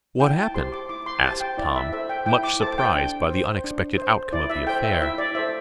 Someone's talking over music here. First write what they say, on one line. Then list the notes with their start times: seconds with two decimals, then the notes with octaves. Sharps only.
"What happened?" asked Tom, much surprised by the unexpected outcome of the affair.
0.20 E4 G5
0.38 A5
0.54 G4 C5 C6
0.72 D6
0.89 E4 D6
1.06 C6
1.24 G4 C5 A5
1.41 G5
1.57 E4 D5
1.76 E5
1.93 A4 C5 E5
2.09 G5
2.26 E4 G5
2.44 D6
2.60 A4 C5 A5
2.78 G5
2.95 D4
3.29 C5
3.64 D4
3.98 C5
4.33 E4 D5
4.50 E5
4.67 A4 C5 G5
4.84 E5
5.01 E4 E5
5.18 D5
5.35 A4 C5 E5